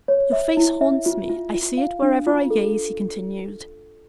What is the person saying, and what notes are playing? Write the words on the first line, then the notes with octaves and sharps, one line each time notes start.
"Your face haunts me; I see it wherever I gaze," he continued.
C#5
E5
E4
E5
F4
F4
F4
F5
D4
F4
A4